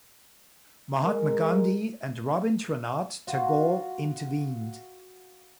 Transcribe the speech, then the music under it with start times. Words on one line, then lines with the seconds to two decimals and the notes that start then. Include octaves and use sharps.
Mahatma Gandhi and Rabindranath Tagore intervened.
1.04 G#3 A#4
3.27 F4 F#4